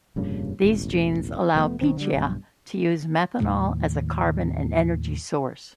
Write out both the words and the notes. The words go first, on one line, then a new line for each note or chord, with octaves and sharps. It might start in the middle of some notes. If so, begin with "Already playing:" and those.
These genes allow "Pichia" to use methanol as a carbon and energy source.
F1 G2 A#2 C#3
E1 A1
F1 F3 A3 B3
B1 D#3 C4
D3 G3
B1 G2
D#2 A2 D#3 F3